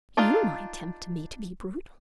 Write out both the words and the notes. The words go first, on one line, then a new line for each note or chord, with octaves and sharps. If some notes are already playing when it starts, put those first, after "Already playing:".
You might tempt me to be brutal.
D4 D#4 F4 F5